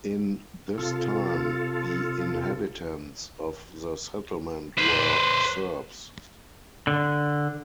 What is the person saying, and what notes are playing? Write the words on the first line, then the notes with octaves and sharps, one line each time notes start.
In this time, the inhabitants of the settlement were Serbs.
C3 F4 A4
B4 C5
D3